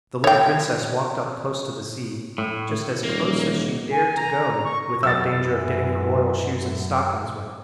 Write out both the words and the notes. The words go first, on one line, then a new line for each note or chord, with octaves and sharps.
The little princess walked up close to the sea, just as close as she dared to go without danger of getting her royal shoes and stockings wet.
C#5 G5
A2
D#1 A#3
G#5
A#5
C#6
F#2 E3 E6 A6